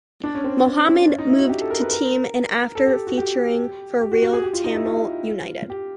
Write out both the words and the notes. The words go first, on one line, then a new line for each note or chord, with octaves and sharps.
Mohammed moved to team in after featuring for Real Tamale United.
D4
C#4
C4
C#4
C4
C#4
D#4
E4
F#4
G4
A4
A#4
B4
A#4
A4
G4
F#4
G4
G4
F#4
F#4
G#4
G4
F4
D#4
E4
F4
G4